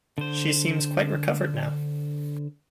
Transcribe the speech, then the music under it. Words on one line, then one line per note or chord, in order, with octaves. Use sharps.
She seems quite recovered now.
D3 C5